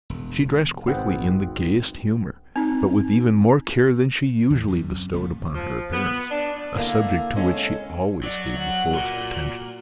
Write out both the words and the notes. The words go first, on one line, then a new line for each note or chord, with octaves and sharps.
She dressed quickly, in the gayest humour, but with even more care than she usually bestowed upon her appearance; a subject to which she always gave the fullest attention.
E1
G#1 B3 C4 F#5 G5
C4 D#4
D#2
F#2 C3 F3 G3
A#1 A#2 C#3 A3
F3
B3
D4
D3 A#3 E4
G#3 C#4 A4
F#3 D5
F#5
A#2 F#4